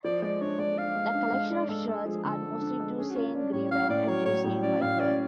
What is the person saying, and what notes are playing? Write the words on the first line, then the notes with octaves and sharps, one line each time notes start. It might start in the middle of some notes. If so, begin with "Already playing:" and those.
The collection of sherds are mostly Tusayan Gray Ware and Tusayan White Ware.
F3 D5
G#3 D5
D4 C#5
G#3 D5
D4 F5
G#3
D4
G#3
D4 D5
G#3 A4
G#3 A4
F3 G#4
D3 A4
D4
D4
G#3
C#4 G#4
F#4
C#4 F4
C#4 D4
A2 C#5
C#4 F5
A2 D5
F#3 C#5
A2 C#5
A2
C#4 D5
A2 F5
C#4 D5